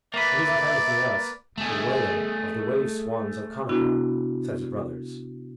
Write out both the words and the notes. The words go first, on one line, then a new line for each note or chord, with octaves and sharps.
"It isn't anything else but the wail of the wave-swans of Connachar," said his brothers.
A#3 B4 D5 E5
A3 G#4
C3 B3 D4 E4 F#4